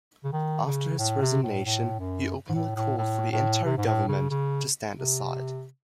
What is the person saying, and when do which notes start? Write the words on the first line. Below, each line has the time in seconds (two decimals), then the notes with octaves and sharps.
After his resignation, he openly called for the entire government to stand aside.
0.24 C#3
0.33 D#3
0.66 C#3
0.98 A2
1.22 C3
1.43 A2
1.65 A2
1.99 F#2
2.49 G#2
2.54 A2
2.76 A2
2.98 A2
3.31 A2
3.65 C3
3.78 G#2
3.86 A2
4.08 C#3
4.31 C#3
4.97 C3